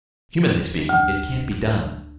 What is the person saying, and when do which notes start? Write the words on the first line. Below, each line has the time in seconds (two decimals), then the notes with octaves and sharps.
Humanly speaking, it can't be done.
0.89 D2